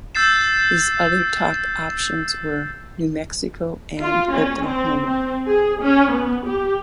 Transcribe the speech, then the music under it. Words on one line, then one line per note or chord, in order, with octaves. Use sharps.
His other top options were New Mexico and Oklahoma.
E6 G6 A6 C7 E7
F4
C#4
C4
C4
G#4
C#4
B3
G4